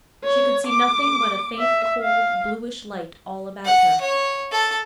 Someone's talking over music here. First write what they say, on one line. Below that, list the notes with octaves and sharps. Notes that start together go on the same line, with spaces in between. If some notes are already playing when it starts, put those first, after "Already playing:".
She could see nothing but a faint cold bluish light all about her.
C#5
D6
E5
F5
F#5
C#5
A4